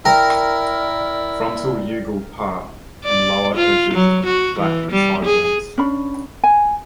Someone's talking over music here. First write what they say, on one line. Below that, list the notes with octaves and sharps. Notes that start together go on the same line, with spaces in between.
Fronto-jugal part and lower edges of black sideburns.
E4 A#4 D5 G5
D5
F4
F#3
F#4
E3
G3
G#4
C#4 D4 B5
G#5